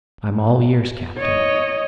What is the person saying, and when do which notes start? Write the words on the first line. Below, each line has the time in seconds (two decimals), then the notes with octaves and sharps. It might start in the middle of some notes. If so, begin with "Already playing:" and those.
"I'm all ears, captain."
1.17 C#5 D#5